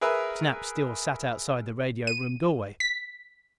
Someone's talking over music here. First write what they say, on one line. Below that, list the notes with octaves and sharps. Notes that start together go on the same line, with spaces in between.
Snap still sat outside the radio room doorway.
G#4 A#4 B4 E5
D#7
B6